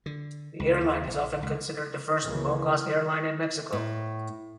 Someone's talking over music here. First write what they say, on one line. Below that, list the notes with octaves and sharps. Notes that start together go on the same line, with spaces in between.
The airline is often considered the first low-cost airline in Mexico.
D3
C#2
D#2
A#1
C#2
C#2 C#3 E3 A#3 C#4
A2